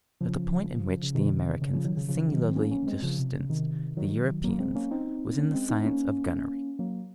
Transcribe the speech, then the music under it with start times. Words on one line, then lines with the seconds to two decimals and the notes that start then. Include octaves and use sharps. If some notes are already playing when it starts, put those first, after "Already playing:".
But the point in which the Americans singularly distanced the Europeans was in the science of gunnery.
0.21 C#3 F3
1.03 C#3
1.15 C3 D#3
1.62 C#3
1.73 C#3 F3
1.85 D#3 F#3
1.97 C#3
2.08 C#3 F3
2.32 D#3 F#3
2.50 C4
2.55 A#3 C#4
2.71 A#3 C#4
2.87 G#3 C4
3.02 C#3 F3
3.18 C3
3.34 C#3
3.49 C3 D#3
3.97 D#3 F#3
4.44 F#3 A#3
4.59 G#3 C4
4.75 A#3 C#4
4.91 C4 D#4
5.38 A#3 C#4
5.54 G#3 C4
5.69 C4 D#4
5.85 A#3 C#4
6.79 F#3 A#3